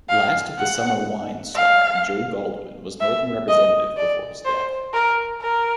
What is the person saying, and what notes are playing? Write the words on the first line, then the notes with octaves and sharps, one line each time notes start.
"Last of the Summer Wine" star Joe Gladwin was Northern representative before his death.
F5
F#5
F5
E5
D#5
D5
C5
A#4
A#4